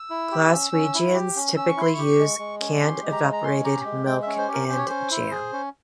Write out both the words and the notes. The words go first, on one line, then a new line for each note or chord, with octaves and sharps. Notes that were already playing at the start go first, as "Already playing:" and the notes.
Glaswegians typically use canned evaporated milk and jam.
Already playing: E6
E4
G4
C#4
C#4
E4
G4
C#4
C#4 E6
C#6
E4 C6
C#6
G4
G#3
G#3
C#4
G4 C6
G#3
A#5
G#3
A#5
C#4 C6
G4 A#5
G#3
G#3 G5
C#4 E5
C5
G4
A#4
C#4 C5
C#5
C#4 C5
E4
G#4
C#4